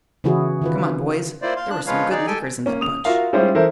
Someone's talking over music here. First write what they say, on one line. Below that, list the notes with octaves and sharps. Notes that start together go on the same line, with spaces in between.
"Come on, boys--there were some good lookers in that bunch."
C#3 E3 C#4 E4 F#4 G#4
D#3 F4 B4
A#3 E4 F4 C5 D5
F5 C6
D4 F#6
F3 G#3 F4 B4 C#5 F5
D#4 G#4 D5
G4 A4 G5 G#5
A#3 C#4
D#6 F7
F4 F#4 A#4 E5 F5
G3 G#3 C#4 E4 F4 C5
E3 E4 A4 A#4 C5